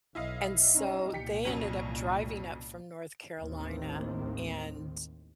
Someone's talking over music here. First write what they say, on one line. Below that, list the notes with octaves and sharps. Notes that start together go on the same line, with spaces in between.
And, so, they ended up driving up from North Carolina and,
B1 E4 D#5 F5
C#4 D#4
C2 A#2 G4 B6 C#7
F2 F#3 C#4
A1 D#2 A2 D#3 C4